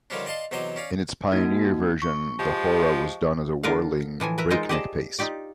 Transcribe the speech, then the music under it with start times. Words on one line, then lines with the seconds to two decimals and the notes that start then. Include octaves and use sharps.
In its pioneer version, the hora was done at a whirling, breakneck pace.
0.10 D3 D#3 F3 G3 C#4 D4
0.26 D5 D#5 F5 A5 C6
0.51 E2 C3 F#3 C5 D#5 D6
0.76 C#4 D5 F5
1.32 A#3 D#4 F#4
2.02 C#6
2.39 F3 G#3 G4
3.63 D3 F4 A#4 B4 F5
4.20 A2 E3 F3 G#5
4.38 A#4 B4 E5 A#5
4.50 G#3 D#4 F4 A#4 C5 D#5
4.69 G4 G#4 C5 D5 D#5 A5
5.19 D#4 F4 G4 D5